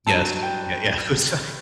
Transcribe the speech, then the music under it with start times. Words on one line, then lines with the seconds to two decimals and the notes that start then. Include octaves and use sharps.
Yes. Yeah, yeah. I'm sorry
0.07 G2 F#3 A5
0.43 G5